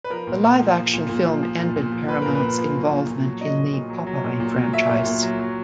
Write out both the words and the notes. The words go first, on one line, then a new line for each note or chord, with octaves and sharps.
The live-action film ended Paramount's involvement in the "Popeye" franchise.
B4
F3 A#4
A#2
A#2
F3
F3
A#2
A#2
F3
F3
A#2
A#2
F3
F3 B4
A#2 A#4
B4
A#2
F3
F#3
A#2
A#2
F#3
F#3 D#5
A#2
A#2
F#3
F#3
A#2
A#2
F#3
F#3 E5
A#2
A#2
F#3
F#3